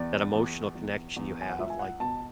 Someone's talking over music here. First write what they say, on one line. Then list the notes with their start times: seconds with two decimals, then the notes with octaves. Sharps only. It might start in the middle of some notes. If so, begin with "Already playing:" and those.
that emotional connection you have, like
Already playing: E2 D5
0.33 E2
0.75 E2
1.16 E2
1.41 G#5
1.50 F#5
1.58 C#2 E5
1.70 G#5
1.79 F#5
2.00 B2 A5